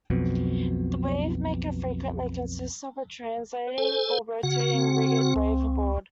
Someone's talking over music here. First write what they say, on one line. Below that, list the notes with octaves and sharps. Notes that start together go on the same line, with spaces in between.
The wavemaker frequently consists of a translating or rotating rigid wave board.
B1 F2 B2
A4 C5 G#5
C#3 F#4 F#5
C4
C#2